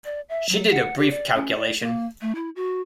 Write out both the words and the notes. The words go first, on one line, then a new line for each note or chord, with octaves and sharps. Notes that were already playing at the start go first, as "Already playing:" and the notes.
She did a brief calculation.
D5
E5
F#3
F#5
G4
D5
C#4
D5
A#3
A3
E4
F#4